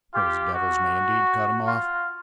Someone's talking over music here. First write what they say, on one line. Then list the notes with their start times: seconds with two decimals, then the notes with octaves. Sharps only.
Those devils may indeed cut him off.
0.14 F4 G4
0.53 F#4
1.67 F4